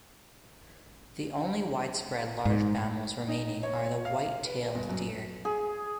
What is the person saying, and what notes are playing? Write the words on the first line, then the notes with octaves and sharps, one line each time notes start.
The only widespread large mammals remaining are white-tailed deer.
G#2
D#4
C#5
F5
B4
G1
F#2
G#4